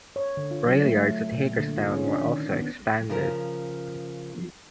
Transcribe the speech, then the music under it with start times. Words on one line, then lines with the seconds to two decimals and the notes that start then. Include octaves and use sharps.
Rail yards at Hagerstown were also expanded.
0.16 C#5
0.37 D3
0.51 F4
0.66 F#3
0.84 A3
1.32 A#2
1.59 D3
1.77 F4
1.92 C#4
2.07 D4
2.21 D#3
2.53 B3
3.10 C#3 F3 A#4